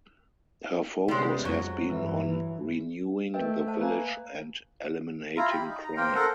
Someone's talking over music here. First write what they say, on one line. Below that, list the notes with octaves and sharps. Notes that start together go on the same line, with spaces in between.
Her focus has been on renewing the village and eliminating crime.
C3 G3 G#3 B3 C#4
F2 F#3 G#3
G2 E3
A3 A#4 B4 D#5 G5
C5 F#5 A5
A#3 B4 G#5
E4 F4 A#5
G4 B5
D#4
A#5
A#3 A#4 C5 G5
A4 A#4 C5 F#5